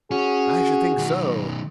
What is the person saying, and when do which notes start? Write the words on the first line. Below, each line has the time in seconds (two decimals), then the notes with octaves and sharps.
'I should think so!
0.11 C#4 F#4 G#4
0.98 B1 D#3